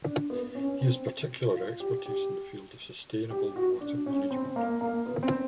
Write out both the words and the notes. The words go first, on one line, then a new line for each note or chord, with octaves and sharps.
He has particular expertise in the field of sustainable water management.
D4
B3
C#4
C4
F4
G4
G4
G4
F#4
D4
C#4
C4
A#3
A#3
B3
C4